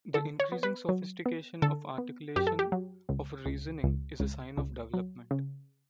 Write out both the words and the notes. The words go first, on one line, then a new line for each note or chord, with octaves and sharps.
The increasing sophistication of articulation of reasoning is a sign of development.
D3 A4
C#5
B3
B4
F#3
B3
D3 A4
B3
F#2 G4
A4
G4
F#3
C#2
C#2
C#2
C#2
C#2
F#3
C#3